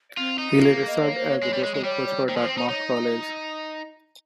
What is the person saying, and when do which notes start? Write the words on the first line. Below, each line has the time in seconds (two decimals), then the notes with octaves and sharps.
He later served as the baseball coach for Dartmouth College.
0.17 C4 F4
0.38 D#4
0.51 G4
0.59 A#3 F4
0.74 G#4
0.87 D#5
1.02 C#5
1.15 C5
1.28 C#5
1.43 G#3
1.53 G3
1.64 G#3
1.75 G#3
1.84 G3 C#5
2.06 C#5
2.26 D#3 C5
2.37 F3 C5
2.47 C4
2.54 D#4 C5
2.68 D#4 C#5
2.89 D#5